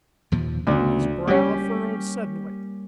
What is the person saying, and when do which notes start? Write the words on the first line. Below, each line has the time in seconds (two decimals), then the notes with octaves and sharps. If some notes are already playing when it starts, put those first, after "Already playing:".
His brows furrowed suddenly.
0.32 D#2 A#2 F3
0.67 D2 C#3 B3
1.27 G3 A#3 C#4 G4